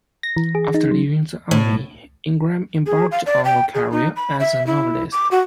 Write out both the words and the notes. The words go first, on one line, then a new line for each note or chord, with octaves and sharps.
After leaving the Army, Ingram embarked on a career as a novelist.
A#6
E3
G#4
D#4
F#3
A2
G#4
F5
D5
G5
G#4
D#4
B5
E5
E4
D6
F#4